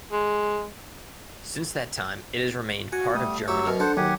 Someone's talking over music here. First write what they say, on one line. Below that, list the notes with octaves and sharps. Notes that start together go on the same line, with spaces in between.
Since that time it has remained part of Germany.
G#3
F#4 F#5 G#5
G3 A3 D#6
F#3 G4 C#6 E6
F#2 B2 F6
D4 A4 C5 F#5
D#2 F#3 G4 F#5 G#5